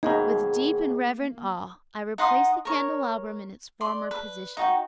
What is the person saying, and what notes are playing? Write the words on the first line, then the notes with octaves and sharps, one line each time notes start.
With deep and reverent awe I replaced the candelabrum in its former position.
D#2 G#2 B2 A#3 D#4 G#4
D#4 F#5 C6 D#6
A#4 C#5
D5 C6
B4
D#4 F#4 G5